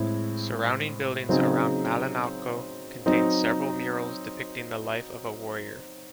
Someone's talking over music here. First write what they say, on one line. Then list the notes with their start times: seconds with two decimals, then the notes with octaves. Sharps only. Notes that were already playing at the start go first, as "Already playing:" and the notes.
Surrounding buildings around Malinalco contained several murals depicting the life of a warrior.
Already playing: A2 G#3 C4 E4 G#4
1.29 C#3 F#3 C4 D#4 G#4
3.06 F#3 C4 D#4